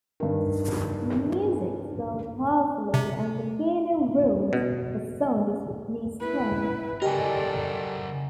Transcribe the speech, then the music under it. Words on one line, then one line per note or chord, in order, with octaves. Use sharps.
The music swelled powerfully and the piano roared... the sound is with me still.
G2 D#3
C3
B2
E4 B4
C#3 G4 A4 A#4 D5 D#5 G5 G#5